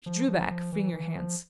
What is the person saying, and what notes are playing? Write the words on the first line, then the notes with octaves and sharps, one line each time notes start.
She drew back, freeing her hands.
F3
F3
F3
E3
E3
F3